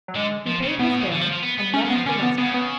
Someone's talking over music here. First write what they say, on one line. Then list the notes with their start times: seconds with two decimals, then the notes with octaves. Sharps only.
He paid his bill and left the restaurant.
0.08 F#3
0.16 D3 G#3
0.47 F3
0.63 C#3
0.79 B2 B3
0.90 A2
1.00 C#3
1.11 D3
1.21 F3
1.32 F3
1.43 B3
1.58 B3
1.74 A3 C#4
1.85 G#3 B3
1.95 F3
2.06 D3 C#4
2.22 B3
2.38 C#3 B3
2.54 B3